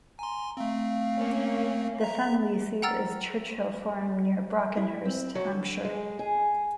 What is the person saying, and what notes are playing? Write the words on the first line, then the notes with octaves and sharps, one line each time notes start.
The family seat is Church Hill Farm, near Brockenhurst, Hampshire.
G#5 A#5 C6
A3 C4 F5
A#3 C#4
E5 A#5
F#5 G5 A#5 E6 F6 A6
E4
C4
F#3
D3
G#3
G#4